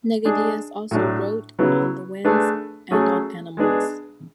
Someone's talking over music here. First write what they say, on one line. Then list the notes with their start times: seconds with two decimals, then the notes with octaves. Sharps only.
Nigidius also wrote on the winds and on animals.
0.25 G#3 D4 G#4
0.91 A2 F#3 A3 D4
1.59 C#3 F#3 B3 E4
2.24 A3 D4 G#4 B4
2.91 F#3 A3 C#4 G#4
3.57 G#3 B3 D4 G#4